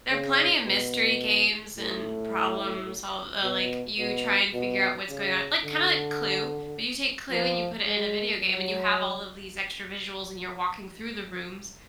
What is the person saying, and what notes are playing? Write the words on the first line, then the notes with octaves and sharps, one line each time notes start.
there are plenty of mystery games and problems, all all, like, you try and figure out what's going on, like kinda like Clue, but you take Clue and you put it in a video game and you have all of these extra visuals and you're walking through the rooms,
C#3
B2
A2
B2
B2
B2
C#3
D3
F3
G#3
F#3